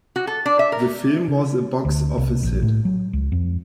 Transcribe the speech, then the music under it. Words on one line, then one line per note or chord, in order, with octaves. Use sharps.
The film was a box office hit.
F#4
A4
D4
E5
A#4
C#3
D2
C2
A#1
A2
F#3
C#2
F2